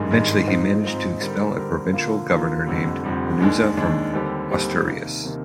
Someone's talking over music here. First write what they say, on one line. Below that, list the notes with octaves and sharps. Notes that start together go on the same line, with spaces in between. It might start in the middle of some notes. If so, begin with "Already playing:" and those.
Eventually, he managed to expel a provincial governor named Munuza from Asturias.
Already playing: G#1 G2 D#3 G#3
G#1 G2 D#3 G#3
G#2 F3 C4 D#4
G#2 F3 C4 D#4
D3 G3 C4 G4 A#4
D3 G3 C4 G4 A#4
D3 F3 A#3 F4
D3 F3 A#3 F4
F1 F2 D3 G3
F1 F2 D3 G3
D#2 D#3 G#3 D4
D#2 D#3 G#3 D4
D#2 D3 G3 C4 G4
D#2 D3 G3 C4 G4
C3 D#3 A#3
C3 D#3 A#3